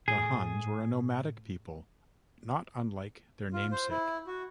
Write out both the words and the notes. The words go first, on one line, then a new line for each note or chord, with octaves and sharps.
The Huns were a nomadic people, not unlike their namesake.
A2 G#4
F4
C5
E4
F#4